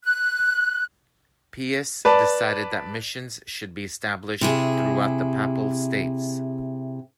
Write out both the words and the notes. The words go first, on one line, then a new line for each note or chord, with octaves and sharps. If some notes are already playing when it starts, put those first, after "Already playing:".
Pius decided that missions should be established throughout the Papal States.
F#6
B4 D5 A5
C3 E4 G#4